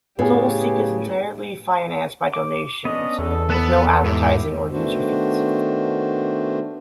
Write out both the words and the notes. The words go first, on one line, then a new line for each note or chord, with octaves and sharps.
Soulseek is entirely financed by donations, with no advertising or user fees.
A2 C#3 B3 G4 G#4
D6
B3 C#4 D4 D#5
E2 A4
B3 B4 A5 B5
G#2 B3 E4 G4
D#3 A3 B3 D4 F#4 C5